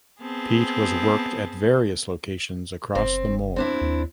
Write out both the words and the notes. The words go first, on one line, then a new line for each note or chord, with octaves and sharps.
Peat was worked at various locations across the moor.
B3 C4 G#4 A5
F#1 C4
C4 D4 E4
D#2